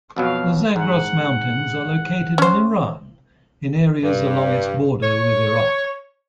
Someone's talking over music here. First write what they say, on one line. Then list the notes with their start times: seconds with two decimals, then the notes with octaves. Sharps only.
The Zagros Mountains are located in Iran, in areas along its border with Iraq.
0.16 F2 B2 F#3 F5
0.76 G#2 F#5
2.38 C#4 C5
4.02 G2
5.02 C#5